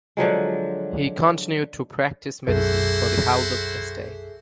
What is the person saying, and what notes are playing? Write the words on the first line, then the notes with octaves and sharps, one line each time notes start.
He continued to practice medicine for the house of Este.
D3 F3 F#3 G#3
B1 F#2 E4 F#4 G#4 A4 C5 E5